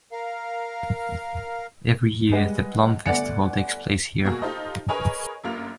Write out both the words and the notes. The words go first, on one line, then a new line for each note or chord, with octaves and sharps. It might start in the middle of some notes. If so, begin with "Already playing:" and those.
Every year, the "Plum Festival" takes place here.
A#4 F5
G3 G#3 B4 D#5 F#5
G1 A3 D5 F#5 G#5 C#7
B2 A#3 F#4 G#4
D#4 F4 G4 A4 C5 D#5
G#4 A#4 B4 C#5 D#5 G#5
G1 F#2 A#3 F4 F7